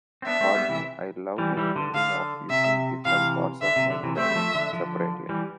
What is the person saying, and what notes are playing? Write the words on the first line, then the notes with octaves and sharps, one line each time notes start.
For me, I love the feeling of using different parts of my brain separately.
C4
B3 D4 E5
A3 C4
G3 B3
C3 E3
E3 G3
E3 G3
D3
D3 F5
C3 E5
C3 E3 F5
D3 E5
C3
D3
C3 E3
A3 C4 E5
G3
F3 A3
D3
D3 F3
E3 G3